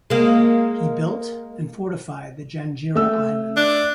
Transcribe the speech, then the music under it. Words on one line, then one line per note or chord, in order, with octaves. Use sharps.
He built and fortified the Janjira Island.
G#3 A#3
A3 E6
D4